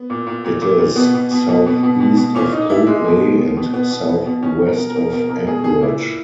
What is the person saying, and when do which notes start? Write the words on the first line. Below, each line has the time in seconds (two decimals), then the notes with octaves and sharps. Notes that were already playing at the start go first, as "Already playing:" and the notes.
It is southeast of Cold Bay and southwest of Anchorage.
Already playing: B3
0.10 A#2
0.27 A#2
0.44 A#2
0.62 A#2
0.79 A#2
0.96 B2 B3
1.14 B2
1.31 B2
1.49 B2
1.66 B2
1.83 B2
2.00 B2
2.17 B2
2.35 A#2 C#4
2.52 A#2 D#4
2.70 A#2 E4
2.87 A#2 G#3
3.04 B2
3.22 B2
3.39 B2
3.57 B2
3.74 B2 B3
3.91 B2
4.08 B2
4.26 B2
4.43 B2 C#4
4.61 B2
4.66 A#4
4.78 B2
4.89 A#4
4.96 B2
5.13 B2 A#4
5.30 B2 A#4
5.47 B2 G#4
5.64 B2 G#4
5.82 A#2 E4
6.00 A#2